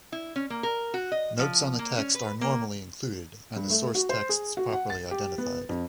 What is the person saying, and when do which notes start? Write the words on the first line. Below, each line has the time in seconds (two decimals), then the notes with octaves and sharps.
Notes on the text are normally included and the source texts properly identified.
0.12 E4
0.36 C#4
0.50 A#3
0.63 A#4
0.94 F#4
1.12 D#5
1.39 F3
1.79 A#3
1.97 C#4
2.15 B4
2.41 A#3
3.56 G2
3.70 A3
3.95 F#4
4.09 C5
4.29 G#4
4.57 F#4
4.73 F#5
4.90 A6
5.11 G4
5.38 B3
5.69 F2